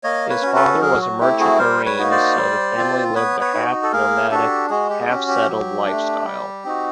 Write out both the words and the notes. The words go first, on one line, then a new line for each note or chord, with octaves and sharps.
His father was a merchant marine, so the family lived a half-nomadic, half-settled lifestyle.
A#3 C#5 D#5
B4 C#5
C#4 F#4
A4 B4
F#3 G#4 A#4
F#4
A3 C4 E4 G4
F#4 G#4
G3 A#4 C5
B4 C#5
A#3 D#4 F#4
C5 D5
G3
C4 F4
B3 B4 C#5
B4 C#5
D#4 F#4
A4
A#3 G#4 A#4
D4 F#4 G4 A4
G#3 F#4 G#4
G4
G#4
C#4 F#4 G4
G4
F#3
A3 D4
G3
C4 D#4 F#4